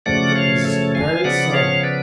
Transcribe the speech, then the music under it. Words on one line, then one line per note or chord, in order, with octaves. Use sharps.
It was very so.
F#2 C#3 F3 A3 D5 F#5
C#5 F5
A4 C#5
F5 G#5
C#3 F3 B3 D5 F#5
D5
C#5 F5
B4 D5